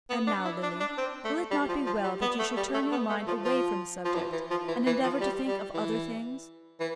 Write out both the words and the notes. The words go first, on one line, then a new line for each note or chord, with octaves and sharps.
"And now, Lily, will it not be well that you should turn your mind away from the subject, and endeavour to think of other things?"
B3
D4
E4
D4
D4
C4
A3
G3
F3
F3
G3
B3
A3
G3
A3
B3
A3
F3
F3
F3
E3
E3
F3
E3
E3
F3
G3
G3
E3
E3